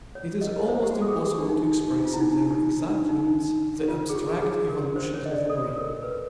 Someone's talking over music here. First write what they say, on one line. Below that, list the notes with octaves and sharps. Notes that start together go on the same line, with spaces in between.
It is almost impossible to express in their exact limits the abstract evolutions of the brain.
C#5
D#5
C5
G4
F#4
G4
A4
G#4
G4
D4
D#4
F4
E4
D#4
D4
D4
D#4
F4
G#4
G4
G#4
A#4
C5
C#5
D#5
D5
A4
A#4
B4